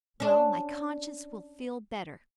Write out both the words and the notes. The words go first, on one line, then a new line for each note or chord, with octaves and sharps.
"Well, my conscience will feel better."
C#4 D4